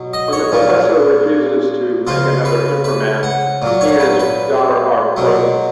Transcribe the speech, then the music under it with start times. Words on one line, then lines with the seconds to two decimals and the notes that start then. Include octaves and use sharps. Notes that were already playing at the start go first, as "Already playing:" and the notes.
When the professor refuses to make another Inframan, he and his daughter are frozen.
Already playing: B2 F#3
0.13 D#5
0.33 C#5
0.52 A#2 F3
2.07 C#3 F3 F4
2.45 B4
2.84 B4
3.23 F#5
3.62 A#2 F#3
3.81 C#5
4.00 B4
4.19 B4
5.17 B2 F#3